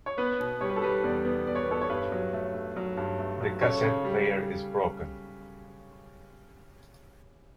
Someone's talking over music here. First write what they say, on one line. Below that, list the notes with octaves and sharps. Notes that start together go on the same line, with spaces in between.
The cassette player is broken.
C#5
B3 B4
B2
G3 C#5
B4
A4
G3 B4
E2 B4 D5
B3
B3 D5
C#5
B4
B3 A4 C#5
C#5
G2 B4
F#3
A3
A3
F#3
G2
A3
F#3
C#3 A4 C#5
C#3
G3